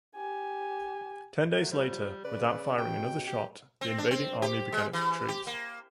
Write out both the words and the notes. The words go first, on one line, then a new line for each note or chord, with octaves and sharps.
Ten days later, without firing another shot, the invading army began its retreat.
G4 G#5
F#3 A3
F3 G3
C#3 B4 D5
B2 G5
G4
C4
D4
C4
G4
G#3
E3
G4
A#3